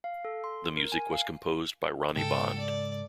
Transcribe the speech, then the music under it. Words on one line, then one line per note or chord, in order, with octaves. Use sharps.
The music was composed by Ronnie Bond.
F5
A4
C6
A#4
G#5
F5
G#2 C#3 G#3 A4 G5
D5